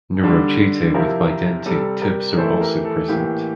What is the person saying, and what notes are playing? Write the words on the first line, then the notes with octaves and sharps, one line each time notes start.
Neurochaetae with bidentate tips are also present.
D3 G3 D4
C3 F3 C4 E4 G4 A#4
C3 G3 C4 A4
G4 A#4
E3 A3 E4 A4 C5
G4 A#4
A4
A2 E3 A#3 G4